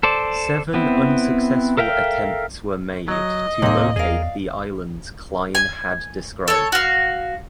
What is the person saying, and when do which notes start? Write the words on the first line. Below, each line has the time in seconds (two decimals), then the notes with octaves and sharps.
Seven unsuccessful attempts were made to locate the islands Klein had described.
0.03 A4 C5 D5
0.74 B3 C4 E4
1.77 A4 A#4 E5 F5 G5
3.08 F#3 D#5
3.62 D#2 A2 C3 A#3 D#4 D5
3.96 E2 G#4 A#4 D5 F5
5.55 G#5
6.48 A4 C#5
6.72 F#4 F5